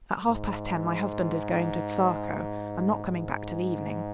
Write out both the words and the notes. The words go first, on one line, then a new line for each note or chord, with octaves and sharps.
At half-past ten my husband is going to Tsarskoe and not coming back till evening.
G#2
G#2